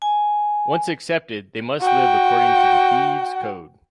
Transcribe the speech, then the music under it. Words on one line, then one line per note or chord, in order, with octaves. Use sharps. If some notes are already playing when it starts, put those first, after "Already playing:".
Once accepted they must live according to the thieves' code.
G#5
F#4 G5